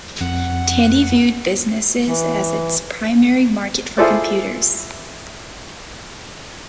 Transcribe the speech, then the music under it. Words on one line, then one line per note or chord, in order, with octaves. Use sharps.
Tandy viewed businesses as its primary market for computers.
F2 F#5
E3
E4 F4 G#4 A4 C5 D5